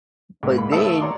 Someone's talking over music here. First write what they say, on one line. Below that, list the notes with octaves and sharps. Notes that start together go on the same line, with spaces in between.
but then,
C#2 G#2 A#3
B5
A3 A#3 E5 A5 D#6 E6
C#5 D5 A#5 C6 D6